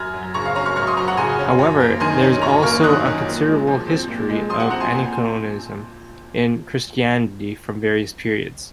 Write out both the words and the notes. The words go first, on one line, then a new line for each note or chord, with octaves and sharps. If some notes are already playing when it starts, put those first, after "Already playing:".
However, there is also a considerable history of aniconism in Christianity from various periods.
Already playing: F#2 F6 G#6
F#3
C#3 A#5 C#6
F5
C#4 A#5 C#6
C#6 F6
F#2 C#6 F6
C6 D#6
F#3 A#5 C#6
F#5 A#5
C#3 G#5 C6
C#4
F#2
A#3
D#3 G#5 C6
C#4
F#2 A#5 C#6
A#3 C#6 F6
D#3 D#6 F#6
C#4
A#2
G#3
F3
C4
A#2
G#3
F3 C6 D#6
F#5
C4 F#5 A#5
G#5 C6
A#2